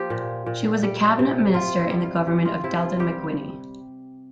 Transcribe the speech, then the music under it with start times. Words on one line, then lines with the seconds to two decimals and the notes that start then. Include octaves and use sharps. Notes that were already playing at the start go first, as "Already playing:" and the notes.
She was a cabinet minister in the government of Dalton McGuinty.
Already playing: F3 A#3 F4 G4
0.10 A#2
0.46 A#2
0.83 G3
1.19 C3
1.54 C3 F4
1.79 E4
1.90 G3
2.03 F4
2.27 E3 G4
2.45 F4
2.64 C3 E4
2.81 F4
2.99 G3 G4